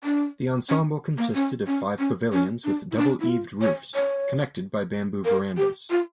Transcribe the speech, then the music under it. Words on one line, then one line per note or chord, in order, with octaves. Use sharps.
The ensemble consisted of five pavilions with double-eaved roofs connected by bamboo verandas.
D4
C#4
A#3
C#4
C#4
C#4
C#4
D4
E4
D4
E4
F4
C#5
C#5
A#4
G4
F4